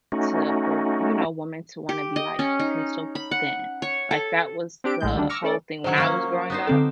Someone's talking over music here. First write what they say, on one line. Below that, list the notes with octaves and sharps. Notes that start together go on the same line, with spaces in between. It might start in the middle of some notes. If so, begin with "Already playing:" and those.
to, for, you know, women to wanna be like pencil thin, like that was the whole thing when I was growing up,
A3 C#4 D#4 F#4
G4
D#5
C#4
D#4
B5
F#5
C#5
A4
C4 D4 G4 D7
A#1 A2 G#3 G6
D2 D#3 G3 D4
C#6 D6 E6 F6 A#6 C#7
A3 C#4 A4 D5
D#3 F#3 C5 C#5 F#5
F#3 A#3 C#4
B3 D#4 C5
D3 C4 A4